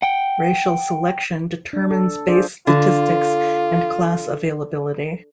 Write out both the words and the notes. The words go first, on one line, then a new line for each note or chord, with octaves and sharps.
Racial selection determines base statistics and class availability.
F#5 G5
D4
A4
D4 F4 G#4 C5 D5
D3 F4